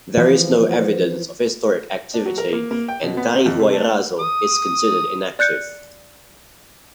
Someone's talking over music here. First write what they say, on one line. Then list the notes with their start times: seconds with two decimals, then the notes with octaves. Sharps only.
There is no evidence of historic activity and Carihuayrazo is considered inactive.
0.17 E3 F3
2.14 D4
2.26 F#3
2.38 A#4
2.53 A#3
2.71 A#3
2.88 G5
3.03 B2
3.17 B3
3.34 C3
3.46 F2
3.59 C3
3.72 A3
4.19 D#6
5.39 D5 F#6 G6 C#7